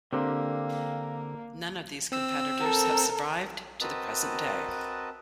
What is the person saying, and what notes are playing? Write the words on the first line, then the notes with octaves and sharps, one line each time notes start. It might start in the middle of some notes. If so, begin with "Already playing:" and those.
None of these competitors have survived to the present day.
D3 A#3 C4 G4 A#4
C4 E6
A4 A#4
C4 F#4 A#4 B4 D#5 A5